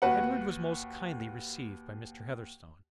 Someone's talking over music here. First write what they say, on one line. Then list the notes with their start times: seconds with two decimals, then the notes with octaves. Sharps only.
Edward was most kindly received by Mr. Heatherstone.
0.02 D#2 F#4 B4 F#5